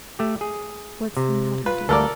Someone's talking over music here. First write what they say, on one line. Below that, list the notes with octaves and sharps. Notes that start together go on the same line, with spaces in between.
"What is the matter, dear?"
A3 G4
G#4
C3
F4 B4
D2 G3 A4 A#4 D5 F5